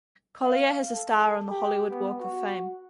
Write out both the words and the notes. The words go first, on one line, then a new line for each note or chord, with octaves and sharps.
Collier has a star on the Hollywood Walk of Fame.
F5
A4
G4
B3
F#4